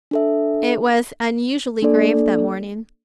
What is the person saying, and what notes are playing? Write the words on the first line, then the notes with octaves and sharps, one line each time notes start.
It was unusually grave that morning.
D4 A4 E5
A#3 D4 A4 D5